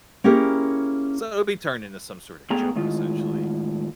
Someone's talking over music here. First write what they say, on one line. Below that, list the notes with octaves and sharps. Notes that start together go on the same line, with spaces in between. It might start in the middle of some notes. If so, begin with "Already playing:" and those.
Uh-huh. So, it'll be turned into some sorta joke, essentially.
A#3 C#4 E4 G4 G#4 A#4
G#2 A3 B3 G#4 G5 A#5
A2 D#3 G#3 F4